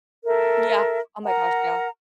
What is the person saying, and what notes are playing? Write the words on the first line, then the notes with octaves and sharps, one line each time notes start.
Yeah. Oh my gosh, yeah.
A4 A#4 E5
A#4 F#5 A#5